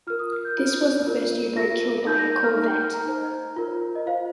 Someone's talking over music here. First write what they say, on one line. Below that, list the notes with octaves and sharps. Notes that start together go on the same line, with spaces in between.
This was the first U-boat kill by a corvette.
F4 A#4 F6
D#6
F6
G6
F4 C5
F4 A#4
F4 A#4 A#6
D#4 A#4 G6
A#6
G6
F6
D#4 A#4 F6
G6
F6
A#5
D#4 C5
F4 A#4
D#5
F4 C5 F5